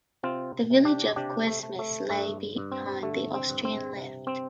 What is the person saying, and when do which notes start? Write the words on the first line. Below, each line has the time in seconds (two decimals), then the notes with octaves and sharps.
The village of Cuesmes lay behind the Austrian left.
0.23 C3 C4 F4
0.70 C3
0.85 D4 G4
1.16 C3 D4 G4
1.47 A3
1.63 A3
1.79 A3
2.09 G2 A3
2.56 G2
2.72 C4
3.03 D3 A3
3.34 C4
3.49 G2
3.65 C4
3.96 C3
4.27 C4